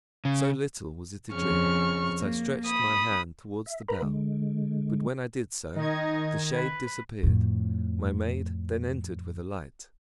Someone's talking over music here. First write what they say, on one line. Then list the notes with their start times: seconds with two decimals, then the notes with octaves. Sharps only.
"So little was it a dream, that I stretched my hand towards the bell; but when I did so, the shade disappeared; my maid then entered with a light."
0.25 C#3
1.33 F2 C#3 C#6 F6
2.21 A#3
2.66 B5 D#6
3.66 E5
3.88 A#4 B4 A#5 B5
4.03 D3 G#3
5.76 D#3 D#4 D#5 G#6
6.54 B4
7.23 F2 A2